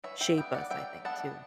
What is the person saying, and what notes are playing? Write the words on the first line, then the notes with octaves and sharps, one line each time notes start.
shape us, I think, too.
E3 C#5 E5
E5 G5
G3 B3 E5 G5
D5 F#5
F#3 E5 G5
B3 D4 F#5 A5